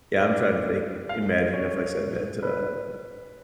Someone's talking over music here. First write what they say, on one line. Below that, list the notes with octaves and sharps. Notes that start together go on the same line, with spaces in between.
Yeah, I'm trying to think imagine if I said that to, uh,
D5
F5
C#5
B4